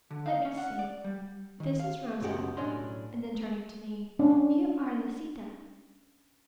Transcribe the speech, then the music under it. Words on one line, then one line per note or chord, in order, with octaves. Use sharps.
Let me see, this is Rosa," and then turning to me, "You are Lisita.
D3
F5
C#4
F#5
D5
G3
D#3
F5
C#2 F#2 B2 G4 F#5
B1 A2 C#4 D4 D#5 C6
C#4 D4